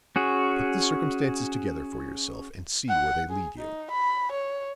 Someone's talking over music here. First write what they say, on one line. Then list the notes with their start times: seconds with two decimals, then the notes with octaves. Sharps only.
Put the circumstances together for yourself and see where they lead you.
0.16 C#4 F#4 G#4
2.89 F#5
3.30 G#4
3.59 D#4
3.91 B5
4.32 C#5